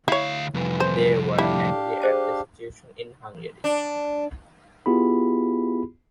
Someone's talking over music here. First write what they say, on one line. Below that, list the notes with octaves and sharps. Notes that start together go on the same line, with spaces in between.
They were angry at the situation in Hungary.
D2 E4 C#5 F5
C2 F2 E3
C5
D4 E4 G4 F5
G#4 C5 A5
D4
B3 E4 F4 G4 G#4 B5